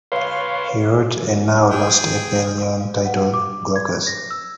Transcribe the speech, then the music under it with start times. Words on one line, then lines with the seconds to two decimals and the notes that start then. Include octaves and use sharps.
He wrote a now lost epyllion titled "Glaucus".
0.12 B4 C#5 F5 C6
1.71 G#4 G5
2.80 F5
3.06 F#5
3.34 D6
3.76 G#6
4.07 A#6
4.31 E6